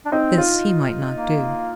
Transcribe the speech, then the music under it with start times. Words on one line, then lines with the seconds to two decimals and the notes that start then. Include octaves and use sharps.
This he might not do.
0.05 D4
0.12 C4 D#4
0.38 F4
1.15 A#3